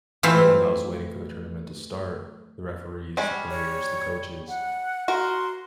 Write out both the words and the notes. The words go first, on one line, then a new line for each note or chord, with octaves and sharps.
everyone that was waiting for the tournament to start, the referees, the players, the coaches.
E3 A3 C4 E4 F4 C5
G3 G#3 C#4
C#5
F#5
F#4 A#4 C6